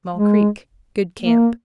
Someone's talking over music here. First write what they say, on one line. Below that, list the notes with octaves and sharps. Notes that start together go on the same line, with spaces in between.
Small Creek.--Good camp.
G#3
A#3